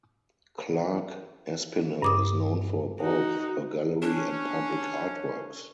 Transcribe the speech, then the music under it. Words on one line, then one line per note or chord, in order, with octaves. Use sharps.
Clark Espinal is known for both her gallery and public artworks.
G2 D6 D#6
D#4 F#4
C#4 D4